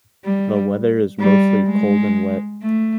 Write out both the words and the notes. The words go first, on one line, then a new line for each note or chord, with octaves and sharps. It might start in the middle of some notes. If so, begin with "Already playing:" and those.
The weather is mostly cold and wet.
G3
G3
G#3
A3